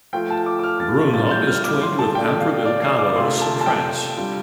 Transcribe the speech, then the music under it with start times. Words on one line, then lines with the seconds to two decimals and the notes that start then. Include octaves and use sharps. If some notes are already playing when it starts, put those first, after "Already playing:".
Brunehaut is twinned with Amfreville, Calvados in France.
0.13 F3 A3 F4 G5
0.30 A5
0.46 D6
0.59 D6
0.63 F6
0.80 A6
1.14 A2 G3 C4 F4 A6
1.31 G6
1.47 F6
1.64 D6
1.81 C6
1.99 A5
2.15 D3 A3 D4 F4 G5
2.40 F5
2.66 D5
2.82 F5
2.98 D6
3.16 C3 A3 F4 C6
3.41 A5
3.61 A5
3.66 G5
4.17 C3 G3 D4 F4